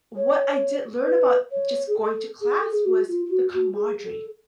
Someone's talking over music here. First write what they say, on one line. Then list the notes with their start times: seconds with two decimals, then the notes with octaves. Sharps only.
what I did learn about just going to class was the camaraderie.
0.16 C#5
1.02 C#5
1.06 B4
1.51 C#5
1.87 G#4
1.96 A4
2.41 G#4
2.59 A4
2.72 G#4
2.85 F#4
3.08 F4
3.25 F4
3.30 F#4
3.53 F#4
3.74 G#4
4.05 A4